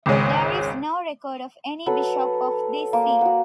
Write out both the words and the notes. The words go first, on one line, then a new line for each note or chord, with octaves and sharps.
There is no record of any bishop of this see.
G#1 C#2 C#3 G#3 C#4
F#3 A4 B4 F#5
A#3 C6 D6
F#4 F#5